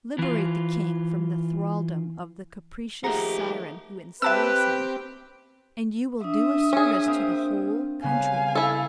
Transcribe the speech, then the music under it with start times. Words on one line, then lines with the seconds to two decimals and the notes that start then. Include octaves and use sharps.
Liberate the king from the thraldom of the capricious siren who enslaves him, and you will do a service to the whole country.
0.19 E3 F4
3.04 D#2 F3 A3 G4 G#4 F#5 A#5
4.22 C4 G4 B4 E5 A5 E6
6.24 D4 E5 D#6
6.73 C#4 G#4
7.05 A#3 C4 F5
8.03 C#3 G3 B3 F5 G#5
8.55 E4 A4